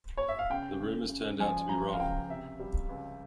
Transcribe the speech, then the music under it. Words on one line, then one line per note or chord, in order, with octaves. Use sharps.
The rumours turned out to be wrong.
C#5
E5
F5
C#3 G5
C#3
C#3
F3 G#5
F3 A#5
F5
C#2 G5
C3 E5
G3
C#2